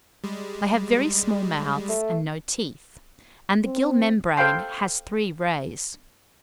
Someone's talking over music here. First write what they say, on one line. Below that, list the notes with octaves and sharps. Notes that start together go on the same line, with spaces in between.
They have very small mouths and no teeth, and the gill membrane has three rays.
G3 G#3
A3
C4
A4 C5 F5 G5 C6